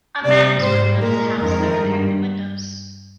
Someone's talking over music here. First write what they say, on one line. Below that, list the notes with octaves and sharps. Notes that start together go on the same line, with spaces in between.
A man is working on his house by repairing the windows.
C3 G3 D5
G#2 G3 C5
A#2 G#3 A#4
F2 D#3 G#3 A#4
G2